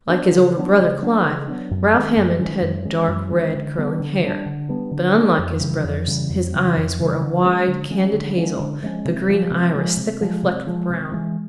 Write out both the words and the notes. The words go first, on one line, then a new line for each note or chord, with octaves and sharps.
Like his older brother, Clive, Ralph Hammond had dark-red, curling hair. But unlike his brother's, his eyes were a wide, candid hazel--the green iris thickly flecked with brown.
F#3 B3 D4
C#3
F#3 B3 D4
C#3
F#3 B3 D4
C#3
F#3 B3 D4
F#2
D#3 G#3 C#4
F#2
D#3 G#3 C#4
F#2
D#3 G#3 C#4
F#2
D#3 G#3 C#4
D3
G3 B3 D4
D3
G3 B3 D4
D3
G3 B3 D4
D3
G3 B3 D4
F2
C#3 E3 G3
F2
C#3 E3 G3
F2
C#3 E3 G3
F2
C#3 E3 G3
D3
F3 G#3 C#4
D3
F3 G#3 C#4
D3
F3 G#3 C#4
D3
F3 G#3 C#4
C3
F3 G#3
C3
F3 G#3
C3
F3 G#3
C3
F3 G#3
C3
E3 G#3